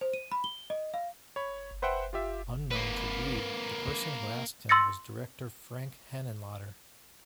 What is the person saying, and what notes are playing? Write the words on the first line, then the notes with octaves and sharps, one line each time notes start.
Unknown to Reed, the person who asked him was director Frank Henenlotter.
C5
D#7
B5
G7
D#5
F5
C#5 B5
B4 C5 E5 F#5 G5
F4 G4 E5
A#3 B4
C6 E6 A6 A#6 C#7